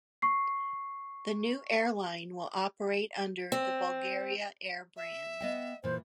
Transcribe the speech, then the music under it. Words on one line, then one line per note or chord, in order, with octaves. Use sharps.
The new airline will operate under the Bulgaria Air brand.
C#6 C7
C4
E5
B3 D#5 G5
A#2 E3 C5